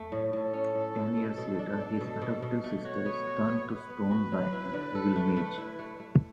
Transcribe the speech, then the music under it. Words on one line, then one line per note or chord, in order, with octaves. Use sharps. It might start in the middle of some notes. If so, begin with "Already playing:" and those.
Ten years later, his adoptive sister is turned to stone by an evil mage.
Already playing: A3
A2
A2 A4
C#4
A2
A2
B2
B2
D4
D4
B2
B2
B2
A3
F#4 C#5
B3
F#4
B3
B3 B4
B3
F#4
F#3
E4
D3
A4
A3
A3
E4
A3
A3